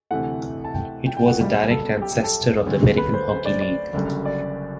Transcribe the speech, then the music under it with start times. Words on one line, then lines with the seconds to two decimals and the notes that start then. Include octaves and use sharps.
It was a direct ancestor of the American Hockey League.
0.11 D2 C3 E3 A3 F#5
0.64 A5
0.74 G5
1.06 G5
1.17 G5
1.28 F#5
1.38 B1 B2 G3
1.71 A4
2.02 G4
2.12 G4
2.24 A4
2.66 D2 D3 F#3 A3
2.97 B4
3.13 C5
3.29 C5
3.46 D5
3.61 D5
3.93 F#1 F#2 D3 G3
4.25 D5